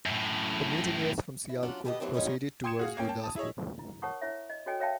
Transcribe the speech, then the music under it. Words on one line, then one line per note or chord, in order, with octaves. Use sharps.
The mutineers from Sialkot proceeded towards Gurdaspur.
F#2 A2
E4
F#3 C#4 D4 F4 D5 F#5
B2 B3 G4 A4 B4 D#5
D#2 E3 F#3 B3 C4 D4
F3 G3 G#3 C#4 D#4 C#5
G5 C6 D#6 G#6 C#7 E7
F#4 G#4 F5
A#3 C#4 G5
G5 A5
A5 D#6
E4 G#4 C#5 D#5
E4
A#4 C#5 F#5 A5 C#6 D#6
E4 C#5 E5
D#5
F#4 A4 C#5 D#5 G5 G#5
A#4 C#5 E5 F5 G5 A5